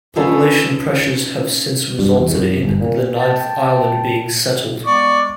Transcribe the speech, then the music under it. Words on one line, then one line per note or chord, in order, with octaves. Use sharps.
Population pressures have since resulted in the ninth island being settled.
C#4 D#4 F4 A4 B4
G2
E2
F#2
G1
A#2
G5 A5
G#3 B3 D5 C#6